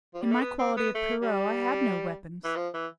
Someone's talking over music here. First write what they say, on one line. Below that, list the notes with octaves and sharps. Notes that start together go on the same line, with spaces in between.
In my quality of Pierrot I had no weapons.
F3
G3
A3
B3
C4
B3
A3
G3
E3
F3
E3